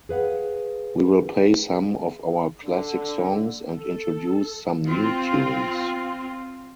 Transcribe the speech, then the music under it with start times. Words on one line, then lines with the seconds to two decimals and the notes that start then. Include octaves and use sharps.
We will play some of our classic songs and introduce some new tunes!
0.09 G#4 B4 F5 F#5
2.66 D3
3.76 A4
4.85 C4 F4